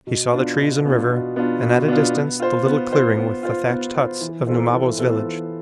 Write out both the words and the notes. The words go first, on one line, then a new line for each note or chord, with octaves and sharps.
He saw the trees and river and at a distance the little clearing with the thatched huts of Numabo's village.
B2
B3 D4 F4
B2
B3 D4 F4
B2
B3 D4 F4
B2
B3 D4 F4
B3
F4 C5
B3
F4 C5
B3
F4 C5
B3
F4 C5
E3
B3 F4 A4 C5
E3
B3 F4 A4 C5
E3